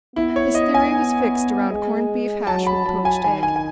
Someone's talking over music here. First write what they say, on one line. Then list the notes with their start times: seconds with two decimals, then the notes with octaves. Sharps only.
His theory was fixed around corned-beef hash with poached egg.
0.16 B3 E4
0.36 C#5
0.55 D#5
0.74 G#5
1.70 G#3
2.47 F#3 A5
2.67 B5
2.86 F#3 A5
3.05 G#5
3.24 D#3 G#5
3.43 G#5
3.56 G#5